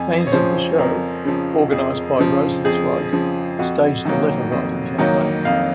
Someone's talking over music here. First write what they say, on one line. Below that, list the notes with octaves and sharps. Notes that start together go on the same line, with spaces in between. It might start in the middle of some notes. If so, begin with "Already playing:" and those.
Fans of the show, organized by Rosenzweig, staged a letter-writing campaign.
Already playing: F2 G#5
C#5
C#3 F3 C5
F2 A#4
C#3 F3
F2 G#4
C#3 F3
F2 G#4
C#3 F3
F2 F#4
D#3 F#3 A#3
F2
D#3 F#3 A#3
F2 F5